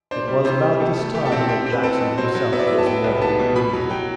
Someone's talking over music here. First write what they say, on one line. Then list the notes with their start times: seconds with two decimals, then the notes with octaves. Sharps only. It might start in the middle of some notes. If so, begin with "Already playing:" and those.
It was about this time that Jackson himself was mortally wounded.
0.11 D4 C5
0.28 G3
0.45 C3 C5
0.63 G3
0.80 B2 A4
0.98 A3
1.14 A3 G4
1.26 A4
1.32 C4
1.37 G4
1.49 C4 G4
1.66 C4
1.72 B4
1.83 C4 A4
2.01 B2
2.18 F#3 C5
2.35 F#3
2.53 B3 E5
2.59 D5
2.68 F#3 E5
2.78 A5
2.86 B3 G5
3.04 C2
3.21 B3 A5
3.39 B2
3.56 B2 B5
3.73 F#3
3.90 F#3 G5